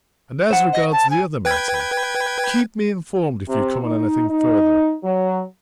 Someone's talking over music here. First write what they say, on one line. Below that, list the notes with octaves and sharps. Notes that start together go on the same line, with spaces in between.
And as regards the other matter--keep me informed if you come on anything further.
C5 F#5
D#5
A5
G#5
B4 G5 G#6
C3
D#4
D#4
F#3